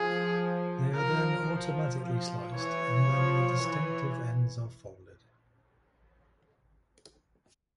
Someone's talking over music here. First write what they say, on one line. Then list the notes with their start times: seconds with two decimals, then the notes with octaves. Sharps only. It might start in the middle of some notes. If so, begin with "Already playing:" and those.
They are then automatically sliced and then the distinctive ends are folded.
Already playing: F3 G#4
0.94 F3 A#4
1.48 F3
2.02 F3
2.55 E3 C#5
3.09 F3
3.63 E3